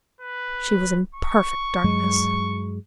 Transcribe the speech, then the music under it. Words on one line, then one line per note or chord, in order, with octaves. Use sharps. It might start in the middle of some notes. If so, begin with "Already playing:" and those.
She was in perfect darkness.
B4
C#6
G2 F#3 G#3